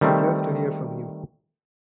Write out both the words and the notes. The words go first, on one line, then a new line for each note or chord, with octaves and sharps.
We’d love to hear from you.
D#3 G3 A3 C4